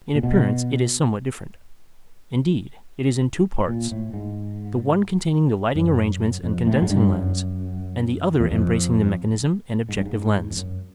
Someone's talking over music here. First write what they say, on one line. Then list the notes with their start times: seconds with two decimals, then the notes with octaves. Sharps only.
In appearance it is somewhat different; indeed, it is in two parts, the one containing the lighting arrangements and condensing lens, and the other embracing the mechanism and objective lens.
0.15 A#2
0.23 B2
3.68 A#2
3.92 A2
4.13 G#2
5.75 F#2
6.43 F2
6.67 A2
6.82 G#2
6.90 G2
7.12 F#2
8.40 E2
8.51 F2
9.89 G#2
9.97 G2
10.05 G#2
10.51 F2
10.57 F#2